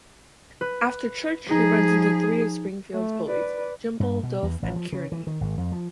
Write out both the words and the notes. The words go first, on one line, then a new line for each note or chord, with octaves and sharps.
After church, he runs into three of Springfield's bullies: Jimbo, Dolph, and Kearney.
B4
F3 D#4 G#4 B6
A3
B4 D5
G2
B2
E2
A1
F3
C#3
E3
D#3
G#1
F2
F3